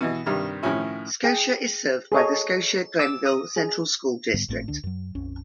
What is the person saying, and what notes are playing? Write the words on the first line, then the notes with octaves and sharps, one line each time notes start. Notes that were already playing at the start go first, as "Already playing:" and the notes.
Scotia is served by the Scotia-Glenville Central School District.
B2 E3 D#5
G2 C3 D#3 G3
A2 D#3 F3 C#4 E4
G#4 G5
G#4 A4 C#5 D#5
D6 E6
D#6
G#4
G#2 D3 G3 B3
G#1 A2 A3 C4
C#2 D3 D4
F#2 F#3
A#1 F2 C#4